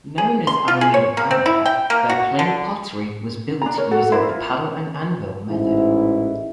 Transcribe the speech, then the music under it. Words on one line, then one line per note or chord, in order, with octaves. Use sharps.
Known as Alameda Brown Ware, their plain pottery was built using the paddle-and-anvil method.
G#4
C6
F4
G#4
C#5
A#3
C4
E4
G5
A#3
F#4
D3
D4 A#5
A#4 C#5
F#4 A4 F#5
D4 E4 A#4 C5
F4
A1 G#2 E4